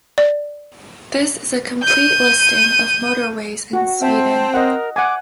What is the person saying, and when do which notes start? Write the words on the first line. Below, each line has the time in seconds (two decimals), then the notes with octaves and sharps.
This is a complete listing of motorways in Sweden.
0.18 D5
1.83 G6 D#7
3.73 F#4
4.02 C4 E5 A5
4.54 A#4 D#5 F#5
4.96 F#5 G#5 D6